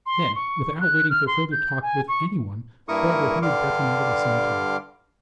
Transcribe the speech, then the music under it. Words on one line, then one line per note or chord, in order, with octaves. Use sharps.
Then, without waiting for further talk with any one, Spargo hurried Breton out of the cemetery.
C6
C#6
F#6
F6
C6
G6
G#5
C#6
G2 A#3 E4 A#4 C#6 D#6
G2 D3 G3 C6 D6 F6